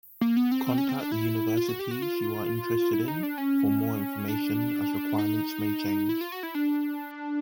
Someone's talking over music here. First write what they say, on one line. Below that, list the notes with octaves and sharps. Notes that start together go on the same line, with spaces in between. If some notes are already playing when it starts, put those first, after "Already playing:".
Contact the universities you are interested in for more information as requirements may change.
A#3
B3
C4
C4
C#4
C4
D4
E4
F4
F#4
G4
F#4
F4
E4
D#4
D4
C#4
D4
D#4
E4
F4
F#4
E4
D4